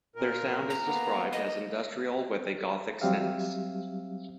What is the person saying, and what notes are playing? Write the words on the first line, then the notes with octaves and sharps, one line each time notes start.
Their sound is described as "Industrial with a Gothic Sense".
A#2 A#4
A#5
A#3 B3
D#5
F#3 G3 C4 G4 E5 F5